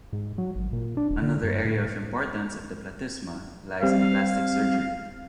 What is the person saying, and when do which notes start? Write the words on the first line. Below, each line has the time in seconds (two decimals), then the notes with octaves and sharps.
Another area of importance of the platysma lies in plastic surgery.
0.13 G#2
0.38 F#3
0.55 G#1
0.73 A#2
0.97 D4
1.10 D#1
1.22 D3
1.43 G2
1.65 A2
3.83 G3 C4 F5